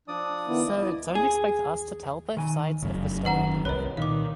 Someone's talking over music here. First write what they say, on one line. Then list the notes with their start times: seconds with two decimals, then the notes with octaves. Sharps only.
So, don't expect us to tell both sides of the story.
0.08 F3 D4 D5 D#6
0.48 D#3 B3 E4
0.67 D#5
0.81 E4 D5
1.15 G#4
2.37 D#3 G#5
2.82 F1 F#2 C#3
3.25 D#3 B4 F#5 A#5
3.65 C2 A#4 B4 C#5 D#5
3.97 A#2 D#3 F5 D6